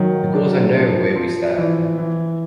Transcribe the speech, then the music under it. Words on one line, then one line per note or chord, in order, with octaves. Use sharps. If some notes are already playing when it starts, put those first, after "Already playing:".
Because I know where we stand.
Already playing: D#3 F#3
D4
F3
F3
E3
E3